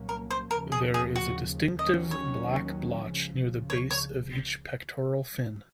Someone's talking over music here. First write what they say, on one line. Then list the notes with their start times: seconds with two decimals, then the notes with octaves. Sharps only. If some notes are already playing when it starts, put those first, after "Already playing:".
There is a distinctive black blotch near the base of each pectoral fin.
Already playing: C2 A#2 F#3 A#3 C#4
0.09 A#4
0.30 C5
0.51 D#2 C#3 F3 A#4
0.72 G#4
0.94 G#4
1.16 F#4
1.79 D#2 D#3 F#3 C#4 D#5
2.11 C#5
3.06 C#2 C#3 F3
3.70 C#5
3.91 C#5